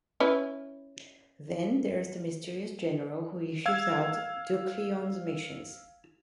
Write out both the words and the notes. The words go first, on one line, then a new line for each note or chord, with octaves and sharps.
Then there's the mysterious General, who issues out Duklyon's missions.
C#4 E4 B4
F5 E6 G#6